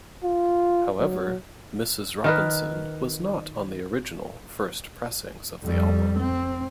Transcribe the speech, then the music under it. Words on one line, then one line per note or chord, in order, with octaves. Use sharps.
However "Mrs. Robinson" was not on the original, first pressings of the album.
F4
F#3
D#3 A#4 B4
F2 G3
C4